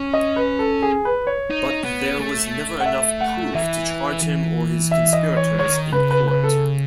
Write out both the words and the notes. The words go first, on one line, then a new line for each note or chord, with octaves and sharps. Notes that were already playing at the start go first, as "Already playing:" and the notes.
But there was never enough proof to charge him or his conspirators in court.
Already playing: C#4
D#5
B4
A4
G#4
B4
C#5
D#4
B3
A3
F#5
E5
F#5
E3 E5
E3
E5
D#5
C#5
D#3 C#5
C#3 B4
B4
B4
A4